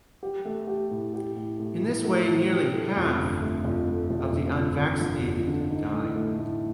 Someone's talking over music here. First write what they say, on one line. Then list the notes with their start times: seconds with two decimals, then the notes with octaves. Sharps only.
In this way nearly half..of the unvaccinated die.
0.23 G4
0.45 A3
0.67 G4
0.91 A2
1.14 G4
1.37 A2
1.59 A2
1.81 A2
2.05 A3
2.28 A2
2.50 G4
2.73 A3
2.96 F2
3.18 G1
3.41 A3
3.64 F2
3.87 A3
4.10 F2
4.32 F2
4.56 G1
4.79 D3
5.01 F2
5.24 F2
5.47 D3
5.71 D#4
5.92 A2
6.15 A3
6.39 A2